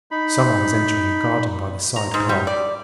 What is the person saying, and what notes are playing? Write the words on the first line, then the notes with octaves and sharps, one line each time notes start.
Someone was entering the garden by the side path.
D#4 B5
A#5
G#2
G3
D5